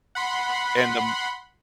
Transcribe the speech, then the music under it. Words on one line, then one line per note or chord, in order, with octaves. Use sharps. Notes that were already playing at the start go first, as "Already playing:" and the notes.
and, um
F#5 B5 C6